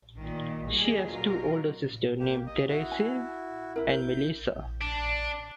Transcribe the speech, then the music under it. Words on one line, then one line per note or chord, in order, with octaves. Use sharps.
She has two older sisters, named Tracey and Melissa.
A#2 D#3
D#2 G3 A#3 G#4 D#5
B2 D3 F#3 F4 A#4
A#3 G4
D#5
E4 F#4
G#5
E4 A#4
G6
D4